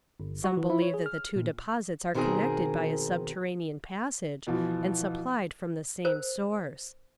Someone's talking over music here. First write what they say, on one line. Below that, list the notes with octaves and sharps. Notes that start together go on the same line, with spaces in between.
Some believe that the two deposits are connected by a subterranean passage and supplied from the same source.
G1
F#4
E3
E4
C#5
G#4
F6
A#2
B2 D#3 C4 G4 G#4 A#4
B2 E3 F3
A#4 C5